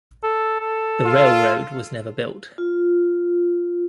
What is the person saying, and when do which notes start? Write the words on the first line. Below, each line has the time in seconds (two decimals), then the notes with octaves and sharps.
The railroad was never built.
0.24 A4
0.61 A4
1.04 F4
2.58 F4